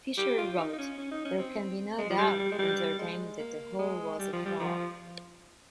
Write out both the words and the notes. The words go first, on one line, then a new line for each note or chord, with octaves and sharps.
Fisher wrote: "There can be no doubt entertained that the whole was a fraud.".
G4
F4
D#4
D#4
C#4
C#4
D#4
C#4
C4
G#3
F3
G3
G3
G#3
G3
G#3
A#3
G#3
G3
F3
G3
F3